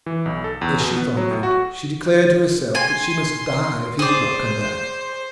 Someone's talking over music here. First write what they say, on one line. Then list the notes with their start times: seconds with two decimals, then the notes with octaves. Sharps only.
As she thought of it, she declared to herself that she must die if he did not come back.
0.06 E3
0.26 B1
0.44 A4
0.61 E2
0.80 B2
0.96 B3
1.17 F#3
1.31 A2
1.43 F#4
2.75 G#5 C6
3.99 G#4 C5 D5